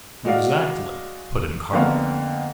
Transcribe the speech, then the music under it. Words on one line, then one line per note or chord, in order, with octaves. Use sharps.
"Exactly," put in Carlyle.
G#3 F#4 D5 F5
F2 D3 A#3 B3 F5 F#5